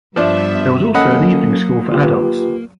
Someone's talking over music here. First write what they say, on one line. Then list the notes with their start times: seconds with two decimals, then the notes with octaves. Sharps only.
There was also an evening school for adults.
0.16 G2 F3 B3 D4 E5
0.94 F#3 A#3 C#4 A4 D#5 F#5 B5
1.92 F4 G4 B4